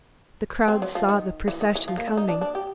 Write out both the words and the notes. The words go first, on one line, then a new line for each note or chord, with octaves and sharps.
The crowds saw the procession coming.
C4
F#3
F3
D#3
E3
D#3
E3
F3
A#3
E4
D#4
D4
D4
G4